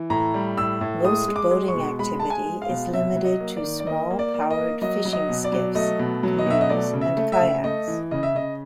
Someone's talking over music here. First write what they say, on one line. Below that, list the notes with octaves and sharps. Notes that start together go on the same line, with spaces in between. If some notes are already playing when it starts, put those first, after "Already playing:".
Most boating activity is limited to small powered fishing skiffs, canoes and kayaks.
Already playing: E3
A2 A#5
G3
A2 E6
A2
G#3 D#6
G#3
D6
G#3
C#6
B2
G#3 B5
G#3 A5
G#5
G#3
F5
B2
C3 E5
F#3
D#5
A#3
D5
D#3
D5
A#3 D#5
A#3
D5
A#3
D#5
A#3
F#3 D#5
F#3
D#5
B2
D5
F#3
A3 D#5
B2
F#3
D#5
B2 E5
D#5
A3 D5
C#3
E5
A3
E5
C#3
A3 D#5
E3
C#3 D#5
E5
C#3 D#5